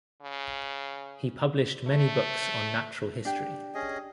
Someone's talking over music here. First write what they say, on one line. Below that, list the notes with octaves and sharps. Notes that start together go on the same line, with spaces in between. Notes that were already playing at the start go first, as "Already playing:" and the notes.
He published many books on natural history.
C#3
A3
D4 G4 G5
C#4 G#4 D#5